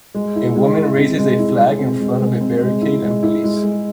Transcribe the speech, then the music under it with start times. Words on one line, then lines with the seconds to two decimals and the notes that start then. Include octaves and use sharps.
A woman raises a flag in front of a barricade and police.
0.15 G#3
0.35 E4
0.56 G#3
0.76 E4
0.97 C4
1.18 G#3
1.39 E4
1.58 G#3
1.79 C4
2.00 G#3
2.20 G#3
2.41 C4
2.61 G#3
2.82 E4
3.02 G#3
3.23 E4
3.43 G#3
3.63 G#3